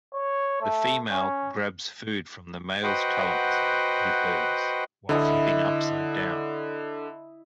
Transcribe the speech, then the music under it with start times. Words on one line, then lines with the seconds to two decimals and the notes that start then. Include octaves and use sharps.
The female grabs food from the male's talons with hers while flipping upside-down.
0.14 C#5
0.61 A3
1.11 C#4
2.83 F#4 B4 C5 D#5 F#5 G5
5.09 D3 E4 D#5